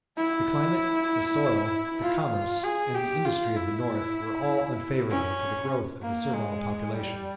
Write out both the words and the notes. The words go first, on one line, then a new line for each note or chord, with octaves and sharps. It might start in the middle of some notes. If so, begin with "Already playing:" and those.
The climate, the soil, the commerce, and the industry of the North were all unfavorable to the growth of a servile population.
E4
F4
G#4
G4
F4
E4
C#4
A#3
G#3
G3